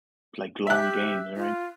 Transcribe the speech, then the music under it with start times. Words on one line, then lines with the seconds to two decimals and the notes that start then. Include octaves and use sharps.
like, long games, right?
0.67 G4 E5 F#6
1.36 F4